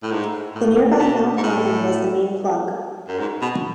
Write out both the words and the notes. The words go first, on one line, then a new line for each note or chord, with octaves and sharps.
The nearby Mount Warning was the main plug.
A2
G#2
A2
B2
G#2
A2
F#2
G#2
B2